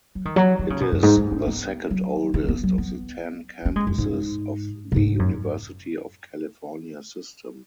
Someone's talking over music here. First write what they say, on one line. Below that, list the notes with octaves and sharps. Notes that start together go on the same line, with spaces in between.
It is the second-oldest of the ten campuses of the University of California system.
F#3
D#3
F#3
D#3
C#3
B2
F#2
G#2
G#3
C#4
B3
F#3
D#3
B3
F#3
B3
C#4
G#3
F#2
G#2
B2
G#2
F#2